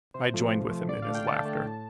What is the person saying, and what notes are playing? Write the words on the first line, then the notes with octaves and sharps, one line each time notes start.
I joined with him in his laughter.
C3 C5
F3 A3
C3
F3 A3
D3 D5
F5
A3
G5
D3 A5
A3
A2